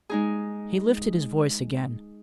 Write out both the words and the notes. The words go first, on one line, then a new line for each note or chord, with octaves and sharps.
He lifted his voice again.
G#3 D#4 G#4